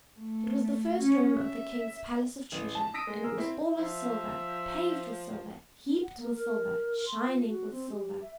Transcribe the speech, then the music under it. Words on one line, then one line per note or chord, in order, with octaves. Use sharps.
It was the first room of the King's palace of treasure; and it was all of silver, paved with silver, heaped with silver, shining with silver.
A3
C#4
E5
A1
A5
D#6 E6 A#6 B6 D7 D#7
G#3
G#4 A#4 E6
C4 E4 C5
F3 E5
F#5
A#3
A#4
C6
F4
F#4
C4
G4
E5